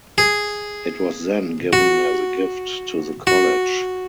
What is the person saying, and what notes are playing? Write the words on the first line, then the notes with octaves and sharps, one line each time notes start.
It was then given as a gift to the college.
G#4
F#4
F#4